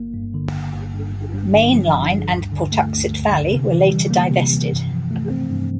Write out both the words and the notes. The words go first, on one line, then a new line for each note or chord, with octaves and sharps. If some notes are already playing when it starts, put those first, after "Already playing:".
Maine Line and Pawtuxet Valley were later divested.
Already playing: G1 A#3
G2
D3
G1
G1
G2
G1
G2
D3
F3
G1
G2
D2
D3
A3
D2
D2
D3
C3
E3
G3
A#3
C3
E3
G2
F3
A3
C4
G2